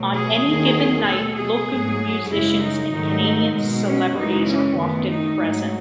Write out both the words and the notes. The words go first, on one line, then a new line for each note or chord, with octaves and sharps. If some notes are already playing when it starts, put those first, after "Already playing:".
On any given night, local musicians and Canadian celebrities are often present.
Already playing: B2 F#3 A3
G#4
D#2 D#3 F#3
B2 A3 A4
G#4
G#2 F#3 A3
F#2 C#3 G#3 E4
D#4
G#2 D#3 F#3 A3
B2 G#3
C#4
F#2 C#3 E3 G#3 D#4
C#4
F#2 D#3 A3 B3
D#4
G#2 F#3 A3